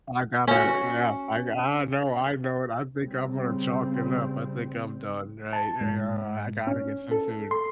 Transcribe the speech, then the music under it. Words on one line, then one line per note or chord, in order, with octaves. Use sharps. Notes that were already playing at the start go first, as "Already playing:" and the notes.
I gotta yeah. I I know, I know it, I think I'm gonna chalk it up. I think I'm done, right? Ah, I gotta get some food.
C#4 F#4
C#3 G3 C4
A5
G#2
C#4
A4
C6